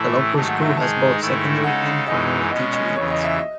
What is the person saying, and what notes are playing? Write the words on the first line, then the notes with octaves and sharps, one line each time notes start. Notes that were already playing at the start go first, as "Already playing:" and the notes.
The local school has both secondary and primary teaching units.
Already playing: A2 E3 A3 E4 A5
G#2 D#3 F#3 A3 A5
F#5
E5
G#2 D#3 G#3 D#4 G#4 A5
G#2 D#3 A3 E4
C#3 G#3 D#4 A4 F#5
F#2 E3 G#3 D#4 D#5
B2 G#3 C#4 D#5
D#5
E2 C#3 E3 C#5
D#5
E5
D#5